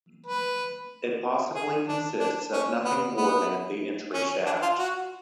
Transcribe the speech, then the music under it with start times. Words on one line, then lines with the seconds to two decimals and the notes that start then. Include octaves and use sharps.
It possibly consists of nothing more than the entry shaft.
0.26 B4
1.55 G#4
1.88 D4
2.20 D4
2.53 C#4
2.85 B3
3.17 B3
4.14 C#4
4.46 D4
4.62 F4
4.78 F#4